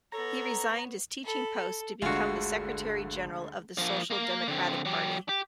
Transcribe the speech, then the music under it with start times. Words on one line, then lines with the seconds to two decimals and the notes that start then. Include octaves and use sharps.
He resigned his teaching post to become the secretary-general of the Social Democratic Party.
0.12 B3 A4 C#5 A#5
1.24 A4 B5
1.58 A4
2.02 G1 D2 D3 G#3 F4 F#4 F5
3.78 F3 A#3
4.10 A#3 A#4
4.48 D3 C4
4.85 F#3 G4
5.29 G4